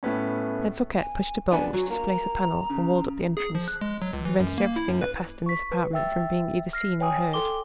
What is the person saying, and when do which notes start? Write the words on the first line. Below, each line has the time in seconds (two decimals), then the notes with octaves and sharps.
Then Fouquet pushed a bolt which displaced a panel that walled up the entrance, and prevented everything that passed in this apartment from being either seen or heard.
0.03 A2 A3 B3 C#4
1.00 G#5
1.52 B3 D4 G#5
1.73 F#3 F#4
1.90 A#3 A#5
2.70 C#3
3.37 G#4
3.55 F3
3.68 F#6
3.81 G#3
4.02 F#3
4.13 C#2
4.25 E3
4.40 F#2
4.58 A#3
4.76 E4
4.88 F#2
5.01 B4
5.46 C#6 B6
5.72 B4
5.93 E5 G5 E6 A6
6.73 F6 A#6 C7
7.00 C#5 G5 G#5 D#6
7.33 A4 G5 C6 D6 G7